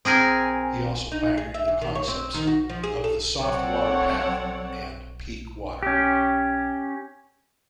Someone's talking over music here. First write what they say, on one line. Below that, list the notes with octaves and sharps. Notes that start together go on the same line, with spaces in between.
He also pioneered the concepts of the soft water path, and peak water.
C4 G#4 A#4 G#5
D#4
G#4
E5
E2
D#3
C#5
C4
D#3
F#4
F3
G#4
A4
F#3 C4 A4 C#5 D5 F#5
C#4 G4